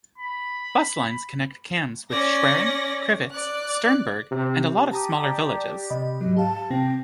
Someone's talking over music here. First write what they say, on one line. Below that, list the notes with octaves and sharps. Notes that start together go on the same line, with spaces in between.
Bus lines connect Cambs with Schwerin, Crivitz, Sternberg and a lot of smaller villages.
B5
C#4 D5 A#6
D5 F#6
C3
G4 A5 A#5 D#6
D5
C3 D#5 B5
G#2 F#3 D#5
G4 F5 A5
C3 C4 G5 A#6